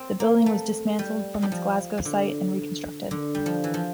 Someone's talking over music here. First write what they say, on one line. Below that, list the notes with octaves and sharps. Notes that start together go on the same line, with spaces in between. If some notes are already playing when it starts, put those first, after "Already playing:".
The building was dismantled from its Glasgow site and reconstructed.
Already playing: C4
A#3
A3
G3
G3
F3
D3
D3
G3
F3
E3
F3